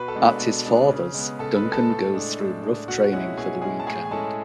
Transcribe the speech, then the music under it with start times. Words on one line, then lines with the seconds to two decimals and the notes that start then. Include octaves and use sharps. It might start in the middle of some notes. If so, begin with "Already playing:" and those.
At his father's, Duncan goes through rough training for the weekend.
Already playing: B2 B4 B5
0.08 A4 A5
0.16 G#3 B3 D4
0.24 B4 B5
0.40 B2
0.65 G#3 B3 D4
0.91 C#3
1.14 G#3 B3
1.39 C#3 A4 A5
1.56 B4 B5
1.65 G#3 B3
1.73 A4 A5
1.90 A2
2.14 G#3 D4
2.39 A2
2.63 G#3 D4
2.88 B2 F#4 F#5
3.12 G#3 C#4 E4 F#4 F#5
3.37 B2 G#4 G#5
3.62 G#3 C#4 E4 G#4 G#5
3.80 A5
3.87 A2 G#4 G#5
4.05 G#5
4.11 G#3 C#4 E4 A4 A5